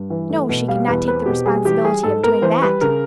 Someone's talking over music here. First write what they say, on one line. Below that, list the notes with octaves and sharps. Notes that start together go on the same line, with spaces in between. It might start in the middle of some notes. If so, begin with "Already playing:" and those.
No, she could not take the responsibility of doing that!
Already playing: G2
E3
A3
B2
G3 F5
E2 B4
C4 B4
B2 G4
G3 G#4
E3 G4
G3 G#4
G#2 A4
B3 A#4
E3 C5
G3 B4
C#3 A#4